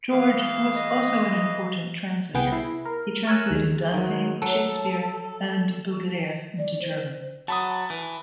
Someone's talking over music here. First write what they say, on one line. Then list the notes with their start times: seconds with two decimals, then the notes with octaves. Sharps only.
George was also an important translator; he translated Dante, Shakespeare and Baudelaire into German.
0.11 E3 G#4 F5
0.75 D#5
2.34 C2 B3 G#4 F#5 G5
2.52 E4 C7
2.85 A#4
3.27 A#4 C#5 G#5 E6 F#6
3.50 D#2 G#3
3.94 D#3 F#3
4.42 F#3 A4
6.58 D5
6.81 C5
7.48 F#3 A5 B5 D#6
7.90 E3